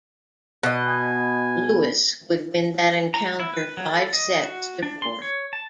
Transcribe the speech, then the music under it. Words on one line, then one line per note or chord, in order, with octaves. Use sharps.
Lewis would win that encounter five sets to four.
B2 D#5
G#5
A#5
E4
B4
F#3
A4
D#5
F#4
D4
C6
C#5
A5